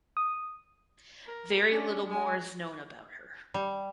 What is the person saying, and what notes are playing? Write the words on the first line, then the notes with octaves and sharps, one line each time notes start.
Very little more is known about her.
D#6
A#4
C#4 D4
G#3 G#5
G3